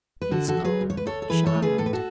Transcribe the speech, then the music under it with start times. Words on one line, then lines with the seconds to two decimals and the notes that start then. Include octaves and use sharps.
His own child!
0.22 B4
0.31 D3 F#4 A4
0.48 F#4 A4
0.57 F#3
0.64 G#4 B4
0.81 D2
0.90 C#5
0.97 B4
1.06 D2 A4 C#5
1.22 A4
1.30 E3 G#4 B4
1.46 A4 C#5
1.55 A3
1.62 G#4 B4
1.78 A2 A4
1.86 B4
1.93 F#4 A4